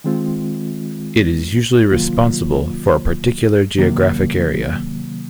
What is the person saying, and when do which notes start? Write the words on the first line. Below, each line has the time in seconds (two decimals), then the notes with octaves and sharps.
It is usually responsible for a particular geographic area.
0.04 D#3 G#3 C4 F4
1.91 C3 D#3 F#3 A#3 F4
3.78 C3 D#3 F#3 A#3